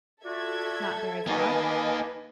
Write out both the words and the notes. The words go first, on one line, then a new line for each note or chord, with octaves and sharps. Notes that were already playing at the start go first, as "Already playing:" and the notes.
"Not very far."
F4 F#4 A4 D5 E5 G#6
A#3 D#4 B4 D#5 F5 G#5 A5 D6